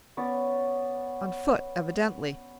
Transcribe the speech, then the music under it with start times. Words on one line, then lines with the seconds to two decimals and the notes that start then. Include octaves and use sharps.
On foot, evidently.
0.17 B3 C#4 C#5 D5